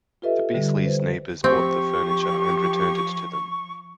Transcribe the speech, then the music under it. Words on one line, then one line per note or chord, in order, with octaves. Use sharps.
The Beasleys' neighbours bought the furniture and returned it to them.
F4 G4 A4 B4 D#5 E5
D3 G3
B4 C5
F3 C4 G4 C#6